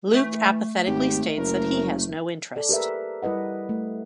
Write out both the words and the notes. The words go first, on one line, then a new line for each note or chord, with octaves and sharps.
Luke apathetically states that he has no interest.
E3 A3
G#1 G4
F#1 A#4
A4 D5
G4 A#4 B4 E5
G3 E4 B4 D#5 F#5
A3